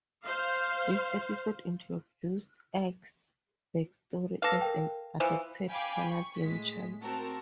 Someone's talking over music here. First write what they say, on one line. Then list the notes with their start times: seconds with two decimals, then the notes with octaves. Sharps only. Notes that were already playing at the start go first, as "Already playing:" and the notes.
This episode introduced Ike's backstory as an adopted Canadian child.
0.25 C5 F5
4.42 A4 B4 F5 D6 A#6
4.61 A#4 G5
5.20 E3 F3 C5
5.68 F5 G5 G#5 B5 D6
6.09 C#6
6.40 A2 G#3 B6
7.02 C4 F#4 A#4 A5